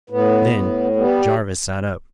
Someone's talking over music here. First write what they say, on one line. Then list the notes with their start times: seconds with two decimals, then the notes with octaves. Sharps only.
Then Jarvis sat up.
0.10 A2 B3
0.53 A2
0.96 G3 B3